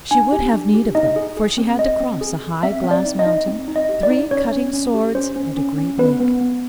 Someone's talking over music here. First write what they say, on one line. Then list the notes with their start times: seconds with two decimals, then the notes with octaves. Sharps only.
She would have need of them, for she had to cross a high glass mountain, three cutting swords, and a great lake.
0.11 D4 G#5
0.32 G4
0.53 D4
0.74 G4
0.95 D#4 D#5
1.16 G#4
1.37 G#4
1.58 C4
1.79 C4 D#5
2.00 C4
2.21 G#4
2.42 G#4
2.63 C4 E5
2.84 C4
2.91 D5
3.05 D#4
3.19 D#5
3.26 D#4
3.48 C4
3.68 D#4
3.76 D#5
3.89 G4
4.03 D5
4.10 D#4
4.31 C#4 C#5
4.52 C#4
4.73 C#4
4.94 G4
5.15 C#4 C5
5.36 C#4
5.57 C#4
5.78 C#4
5.98 B3 B4
6.20 B3
6.41 B3